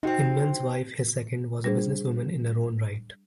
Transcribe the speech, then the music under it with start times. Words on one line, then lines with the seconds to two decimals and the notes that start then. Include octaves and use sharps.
Inman's wife, his second, was a business woman in her own right.
0.03 C3 C4 D#4 F#4
1.64 G3 D4 G#4 C5